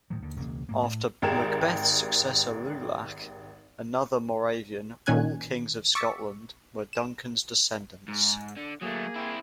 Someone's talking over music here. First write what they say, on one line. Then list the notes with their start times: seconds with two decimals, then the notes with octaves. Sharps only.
After Macbeth's successor Lulach, another Moravian, all kings of Scotland were Duncan's descendants.
0.10 A2 D#3 F3 F#3
0.22 D#2 D3
0.36 E1 C#2 A#3
0.69 G#2 A#3
0.82 A2
1.22 G#1 G4 G#4 A#4 G#6 E7
5.06 A#2 D#3 C#4 G#5 F#6 G#6
5.95 C#6 D6 E6 A6 B6 C#7
6.93 E7
8.08 G#2
8.57 D3
8.82 F#3 A3 A#3 G#4
9.16 C4 E4